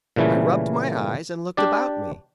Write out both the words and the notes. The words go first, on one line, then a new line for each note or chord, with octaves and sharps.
I rubbed my eyes, and looked about me.
A#2 C#3 E3 G3 A3
D4 G4 D5